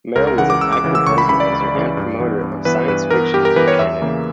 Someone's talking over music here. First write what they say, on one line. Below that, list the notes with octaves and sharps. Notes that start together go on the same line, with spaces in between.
Merril was an active organizer and promoter of science fiction in Canada.
C#2 A#4
A#4
C#3 E3 F#5
D6
C#2 E6
D6
C#3 E3
E6
C#2 C#6
B5
C#3 E3 B5
D5
C#2
C#3 E3
G2
E3 B3
G2
E3 B3 B4
G2 B4
E3 B3 A#4
G2 G4
A#4
E3 B3 B4
C#5
E2 E5
C#3 E3 A#3